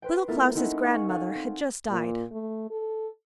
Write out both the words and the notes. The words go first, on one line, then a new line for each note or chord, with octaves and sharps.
Little Klaus' grandmother had just died.
B4 C5 G5
A3 B3 E4 F4 A4 A#4
C4 C#4 D#4 E4 F#5
F5 F#5 G#5 C#6 D#6
A4 F5 F#5 G#5
C4
A#2
A3
A4